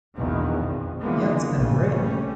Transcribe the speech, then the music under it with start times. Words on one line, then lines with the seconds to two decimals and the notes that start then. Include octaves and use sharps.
Yeah. It's been great.
0.16 A#1 E2 B2 D#3
0.64 F2
1.00 D3 E3 F3 G#3 A#3 B3
1.51 A#1 G2 C#3
1.92 G3 A3 C#4